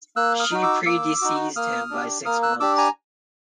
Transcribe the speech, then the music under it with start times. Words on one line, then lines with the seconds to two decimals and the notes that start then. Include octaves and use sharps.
She pre-deceased him by six months.
0.16 A#3 E6 F#6
0.40 D#6 F6
0.51 D#4 F#4
0.63 D6 E6
0.86 A#3 D6 E6
1.21 D#4 F#4
1.56 A#3 D#6 F6
1.90 D4 G4
2.25 A#3 D#6 F6
2.43 E6 F#6
2.60 D4 G4 D6 E6
2.78 G#5 A#5